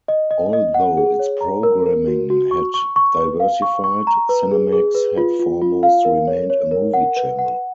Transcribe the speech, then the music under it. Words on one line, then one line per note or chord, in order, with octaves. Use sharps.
Although its programming had diversified, Cinemax had foremost remained a movie channel.
D#5
D#5
D#5
F#5
G#4
C#5
A#5
A#4
A#4
F#4
F#4
C#6
C#6
C#6
B4
F5
C#6
C#6
A#5
B4
G#4
G#4
B4
F4
F4
F4
F5
A#4
C#5
C#5
A#4
F#5
B4
F#5